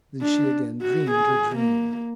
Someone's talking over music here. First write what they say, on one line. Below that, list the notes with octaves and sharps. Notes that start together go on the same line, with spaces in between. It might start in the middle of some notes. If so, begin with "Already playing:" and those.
Then she again dreamed her dream.
D4
F#4
G#4
A#3